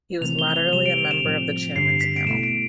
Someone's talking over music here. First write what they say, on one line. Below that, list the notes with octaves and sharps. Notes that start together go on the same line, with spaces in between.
He was latterly a member of the Chairman's Panel.
C3 E3 A3 C4 F7
G7
F7
C3 G3 C4 E7
D7
F7
E7
A2 F3 C4
G2 D3 G3 D4 C7
B6
D7
B2 A3 E4 E7
D7